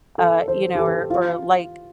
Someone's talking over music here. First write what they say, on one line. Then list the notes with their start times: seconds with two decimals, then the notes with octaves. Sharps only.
uh, you know, or or, like,
0.18 A4
0.48 C5
0.75 G4
0.79 A4
1.10 F4